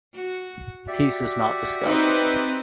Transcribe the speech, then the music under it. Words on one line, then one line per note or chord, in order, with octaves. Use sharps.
Peace is not discussed.
F#4
F#4 G4 D5 E5
C4 D#4 B4